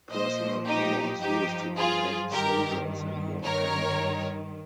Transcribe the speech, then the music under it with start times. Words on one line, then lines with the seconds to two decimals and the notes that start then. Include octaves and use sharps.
Personal armour is used to protect soldiers and war animals.
0.11 A#2 F3 C5 D#5
0.66 D#4 G4
1.21 G2 F3 D#4 G4
1.77 F4 G#4
2.32 G2 D#3 G4 A#4
3.43 G2 D#3 A#4 C#5